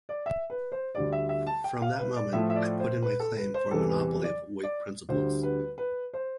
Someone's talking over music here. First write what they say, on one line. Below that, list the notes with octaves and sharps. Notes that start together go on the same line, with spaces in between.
From that moment I put in my claim for a monopoly of Whig principles.
D5
E5
B4
C5
D2 D3 G3 D5
E5
E5
A5
G5
F5
B4
D5
A2 F3 A3 E5
E5
D5
C5
B4
A4
B4
C5
E2 C3 E3 G3 A4
B4
D5
D5
D2 D3 G3 C5
B4
B4
C5